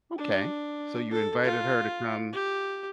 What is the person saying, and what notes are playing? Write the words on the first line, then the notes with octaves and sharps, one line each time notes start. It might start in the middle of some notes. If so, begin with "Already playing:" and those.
Okay. So, you invited her to come
D4
A4
F4
G4